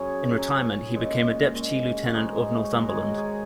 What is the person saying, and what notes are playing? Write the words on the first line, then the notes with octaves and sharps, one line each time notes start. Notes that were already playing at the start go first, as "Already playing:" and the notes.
In retirement he became a Deputy Lieutenant of Northumberland.
Already playing: F#2 F#3 C#4 G#4 C#5
F#2 F#3 C#4
A#2 G#3 C#4
A#2 G#3 C#4
F#4
G#2 D#3 G#3 D#4 G#4
C#5
G#2 D#3 G#3 F#4 A#4
G#4 C#5
F#4 A#4
G#4 C#5